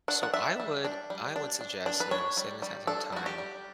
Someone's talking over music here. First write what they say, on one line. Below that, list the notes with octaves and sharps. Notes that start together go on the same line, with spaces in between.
so I would I would suggest, you know, setting aside some time
D4 F#5
F#5
D4 E5
G3
D4
G3
D4
D4
D4
B4
D4 C#5
G3
G3
D4 A4
G3 F#4
G4
G3